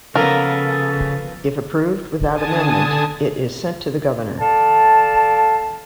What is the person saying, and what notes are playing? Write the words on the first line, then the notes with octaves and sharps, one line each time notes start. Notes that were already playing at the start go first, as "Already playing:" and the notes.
If approved, without amendment, it is sent to the governor.
C#3 F3 A#3 B3 A4 A#4
D3 G#5 A5 D#6
A4 D5 F5 A5